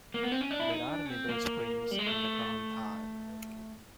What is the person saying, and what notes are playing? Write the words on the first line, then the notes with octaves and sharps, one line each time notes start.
There are Mineral springs in the Kronthal.
A#3
B3
C4
C#4
D4
E4
D#4
D4
C#4
C4
A#3
G3
G#3
A3